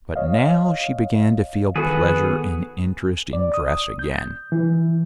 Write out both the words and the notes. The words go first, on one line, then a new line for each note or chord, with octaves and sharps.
But now she began to feel pleasure and interest in dress again.
C#5 D#5 F5
D#3 B3 F#4 G#4 A4
D5
D#6
G6
E3